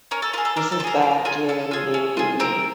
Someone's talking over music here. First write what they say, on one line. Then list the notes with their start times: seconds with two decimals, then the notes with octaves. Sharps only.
this is back in the
0.11 C#4 A#4
0.22 A4
0.33 F4 A#4
0.38 G#4
0.45 A4
0.57 D4 A#4
0.72 A4
0.80 F4
0.84 G#4 A#4
1.02 D4
1.25 F4 G#4
1.48 C#4 A4
1.71 F4 G#4
1.94 C#4
2.17 F4 G#4
2.40 C4 A#4